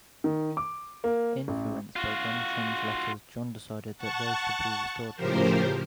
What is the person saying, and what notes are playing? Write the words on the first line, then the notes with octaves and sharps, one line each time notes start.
Influenced by Guntram's letters, John decided that they should be restored to their sees.
D#3
D6
A#3
A1
F4 F#4
F#5 A5 C#6
A2 C#3 F3 G4 A#4 C5